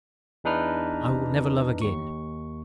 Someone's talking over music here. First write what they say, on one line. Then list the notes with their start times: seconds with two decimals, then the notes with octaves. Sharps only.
I will never love again.
0.44 E2 E3 D4 D#4 B4 F6
1.82 D#2 C#6